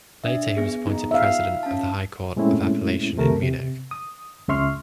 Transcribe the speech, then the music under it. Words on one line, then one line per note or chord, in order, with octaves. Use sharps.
Later he was appointed president of the High Court of Appellation in Munich.
D4 E5
B3 G#4
D#4
E5 F5
C#4 A5
A#2 G#3 A3 C4 C#4 E4
C#2 C3 D#3 A3 A#4
C3
D#6
C#2 C#3 E5 C6 C#6 F6